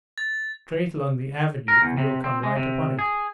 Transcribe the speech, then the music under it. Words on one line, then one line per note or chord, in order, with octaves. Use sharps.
Straight along the avenue and you'll come right upon it.
A6
A#4
E2
C3
C4
G#3
C3
G#4